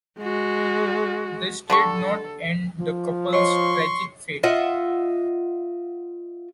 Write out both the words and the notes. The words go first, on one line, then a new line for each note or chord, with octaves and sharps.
This did not end the couple's tragic fate.
G#3 F#4
D3 G3 A4 C#6
F3
C#5 D#5 C6 C#6
F4 D#5 E5 F#5